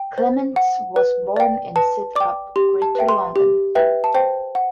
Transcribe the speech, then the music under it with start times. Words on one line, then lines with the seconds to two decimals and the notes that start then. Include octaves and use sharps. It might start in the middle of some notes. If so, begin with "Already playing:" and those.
Clements was born in Sidcup, Greater London.
Already playing: G5
0.18 C5
0.56 F#5
0.96 B4
1.36 D5 G5
1.76 B4 A5
2.15 D5 G5 D6
2.56 G4 C6
2.82 A5
2.95 B4 E5 G5
3.09 C6
3.36 G4
3.75 B4 E5 G5
4.04 A5
4.15 C5 G5
4.55 F#5